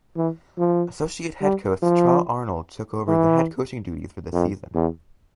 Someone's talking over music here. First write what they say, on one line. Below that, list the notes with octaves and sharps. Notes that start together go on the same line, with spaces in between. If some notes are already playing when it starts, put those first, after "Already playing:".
Associate head coach Tra Arnold took over the head coaching duties for this season.
E3
F3
G3
F3
E3
F2
E2